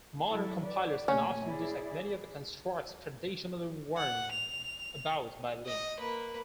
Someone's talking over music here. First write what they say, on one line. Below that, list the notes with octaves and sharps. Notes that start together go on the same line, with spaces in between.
Modern compilers can often detect many of the constructs traditionally warned about by lint.
F#3 E4 A4
B4 D5
A#2 A3 C4 C#4
E4 G#4 D5
F#5
F7
D#5
A#3 B4